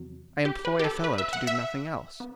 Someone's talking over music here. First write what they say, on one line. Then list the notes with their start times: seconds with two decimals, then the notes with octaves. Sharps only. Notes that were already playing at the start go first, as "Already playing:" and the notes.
I employ a fellow to do nothing else.
Already playing: E2 C3 F#3
0.45 G4
0.65 B4
0.79 G4
0.84 A4
1.04 B4
1.18 E5
1.33 F#5
1.47 E5
2.20 B3